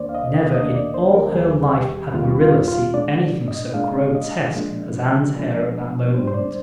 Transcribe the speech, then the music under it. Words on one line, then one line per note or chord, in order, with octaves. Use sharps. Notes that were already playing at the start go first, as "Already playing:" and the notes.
Never in all her life had Marilla seen anything so grotesque as Anne's hair at that moment.
Already playing: D#2 D#3 A#3 D4 C5 D5
F5
D#5
D#5
D#2 D#3 A#3 D4 D#5
D5
C5
A#4
D#2 D#3 G3 G#4
G4
D#2 D#3 G3 F4
F4
F4
A#2 G#3 D4 D5
D#5
A#2 G#3 D4 F5
D#5
A#2 F3 G#3 D4
A#2 F3 G#3 D4
C3 G3 D4 C5
C5
D5